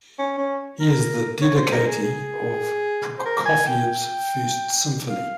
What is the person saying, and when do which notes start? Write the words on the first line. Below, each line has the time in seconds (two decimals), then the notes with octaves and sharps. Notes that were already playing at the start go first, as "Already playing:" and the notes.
He is the dedicatee of Prokofiev's First Symphony.
0.18 C#4
0.38 C#4
0.80 A#4
1.41 C#5
1.56 C5
1.72 A#4
1.87 G#4
2.02 G#4
3.19 C5
3.25 A#4
3.45 G#5
3.67 G5
3.87 G5
5.09 F5